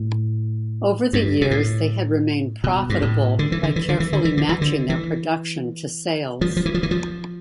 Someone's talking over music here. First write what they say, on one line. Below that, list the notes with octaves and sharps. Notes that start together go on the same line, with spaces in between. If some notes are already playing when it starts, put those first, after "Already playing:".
Over the years they had remained profitable by carefully matching their production to sales.
Already playing: A2
G2
B2
A2
B2
G2
A2
D3
E3
D3
E3
D3
E3
D3
E3
D3
E3
D3
E3
F3
F3
E3
F3
E3
F3